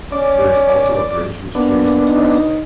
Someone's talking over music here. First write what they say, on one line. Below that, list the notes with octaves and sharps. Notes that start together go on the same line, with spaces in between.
There is also a bridge which carries an expressway.
C#4 D5
A#3 B3 D4
D#4